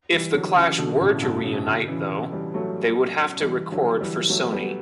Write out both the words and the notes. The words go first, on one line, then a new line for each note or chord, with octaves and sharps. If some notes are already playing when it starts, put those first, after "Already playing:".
If the Clash were to reunite though, they would have to record for Sony.
E3 G3
D3 F#3
C#3 E3
B2 D3
A2 C#3
G2 B2
A2 C#3
B2 D3
C#3 E3
E3 G3
F#3 A3
E3 G3
D3 F#3
E3 G3
F#3 A3
G3 B3